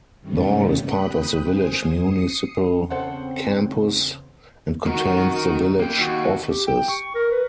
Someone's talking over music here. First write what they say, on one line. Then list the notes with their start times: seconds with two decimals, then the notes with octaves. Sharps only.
The hall is part of the village municipal campus, and contains the village offices.
0.20 G2 C3 D#3 G3 A3 C#4
0.84 G5 B5 D#6 F#6
1.49 C5 G#5 D#6
1.97 D#6 C7 C#7
2.90 E2 C#3 C4 A4 C5 F#5
4.86 D#3 F#4 A#4
5.80 A#3 G5
5.98 D#2 F#4
6.49 G4
6.67 G5
6.89 C#6
7.15 A#4
7.31 B4